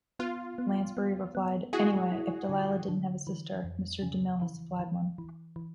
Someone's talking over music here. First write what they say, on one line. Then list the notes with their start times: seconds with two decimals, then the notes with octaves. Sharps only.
Lansbury replied, Anyway, if Delilah didn't have a sister, Mr. DeMille has supplied one.
0.19 B3 F4
0.58 B3
0.97 B3
1.35 B3
1.73 E4 F#4 G#4
2.12 E4
2.49 D3
2.88 D3
3.27 E3
3.64 F2
4.02 C#3
4.42 E3
4.80 E3
5.18 E3
5.56 E3